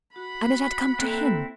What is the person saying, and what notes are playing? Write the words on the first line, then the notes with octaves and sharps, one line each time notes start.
And it had come to him!
F#4 F#5 B5
A#3 C4 E4 A4 F#6